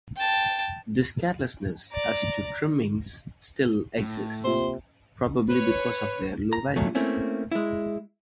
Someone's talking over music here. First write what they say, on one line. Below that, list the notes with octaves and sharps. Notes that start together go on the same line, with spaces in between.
This carelessness as to trimmings still exists, probably because of their low value.
G5 A5
D5 A#5
A2
C3 A#3 F4 C5
B4 C#5
A#5
F2 A#2 F#3 A3
A3 A#3 C4 C#4 E4
G#3 E4